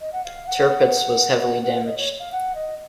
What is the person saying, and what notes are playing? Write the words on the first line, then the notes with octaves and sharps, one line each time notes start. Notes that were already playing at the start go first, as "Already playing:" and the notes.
"Tirpitz" was heavily damaged.
D#5
F#5
F5
F#5
F#5
F#5
D#5
C#5
F5
F#5
D#5